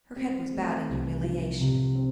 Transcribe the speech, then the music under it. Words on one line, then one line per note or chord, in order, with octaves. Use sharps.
Her head was bowed in humiliation.
C4
A3
C2
F3
C3
C4